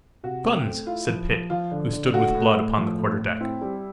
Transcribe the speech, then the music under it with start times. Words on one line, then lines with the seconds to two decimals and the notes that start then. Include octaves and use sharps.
"Guns!" said Pitt, who stood with Blood upon the quarter-deck.
0.23 C3 F#4
0.45 C4
0.66 A3
0.87 E4 F4
1.08 F3
1.30 F3
1.50 F3 F4
1.71 D3
1.93 D3
2.14 A3 F#4
2.35 A2
2.57 A2
2.78 F3
2.98 A2
3.19 A2
3.40 C4 E4
3.61 G3